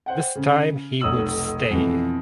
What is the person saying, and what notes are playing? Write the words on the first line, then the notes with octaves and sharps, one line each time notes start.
This time he would stay.
C5 F#5 G5
C#3
F1 B1 C#5 D#6 E6 F#7
F2 B2 E3